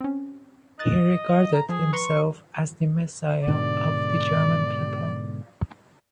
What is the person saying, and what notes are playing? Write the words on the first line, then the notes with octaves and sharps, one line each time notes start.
He regarded himself as the Messiah of the German people.
C4 C#4
D#5 F#6 A6
A#5
F3 G#4
B4 A#5 C6 C#6
G#2 B2 D3 D5